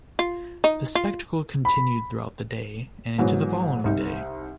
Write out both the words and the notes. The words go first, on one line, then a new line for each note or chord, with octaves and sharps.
The spectacle continued throughout the day and into the following day.
F4
D#4
F4
B5
G#2 E3 F#3 B3
C2 D#4